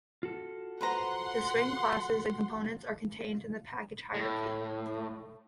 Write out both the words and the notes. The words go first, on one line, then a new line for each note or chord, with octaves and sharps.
The Swing classes and components are contained in the package hierarchy.
F4 F#4 A4
B4 C5 F#5 A#5 C6
A2